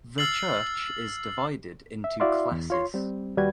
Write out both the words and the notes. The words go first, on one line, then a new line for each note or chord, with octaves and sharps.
The church is divided into classes.
E6 F6 A6 C7 F#7
E5
E4 F#4 D5 E5 F5 C6
E2
F4 C#5 C6
G3 C4
D#2 G3 F#4 B4 G#6